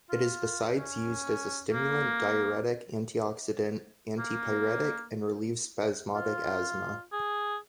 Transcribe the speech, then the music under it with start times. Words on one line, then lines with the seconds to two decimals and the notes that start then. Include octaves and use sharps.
It is besides used as a stimulant, diuretic, antioxidant, antipyretic and relieves spasmodic asthma.
0.10 F4
0.75 C#4
1.73 A#3
4.18 A#3
6.14 F4
7.12 G#4